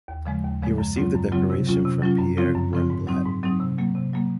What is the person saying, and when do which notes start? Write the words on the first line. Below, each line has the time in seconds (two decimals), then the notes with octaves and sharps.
He received the decoration from Pierre Grimblat.
0.08 D#2
0.26 C#3 F3 G#3
0.44 D#2
0.62 C#3 F3 G#3
0.78 F#2
0.96 C#3 F#3 C4 F4
1.15 F#2
1.32 C#3 F#3 C4 F4
1.50 C3
1.67 F#3 C#4 F4
1.85 C3
2.02 F#3 C#4 F4
2.19 F#2
2.37 C#3 F3 C4 F4
2.55 F#2
2.73 C#3 F3 C4 F4
2.90 G#2
3.07 F#3 C4 D#4
3.25 G#2
3.43 F#3 C4 D#4
3.60 C3
3.78 F#3 A#3
3.95 C3
4.13 F#3 A#3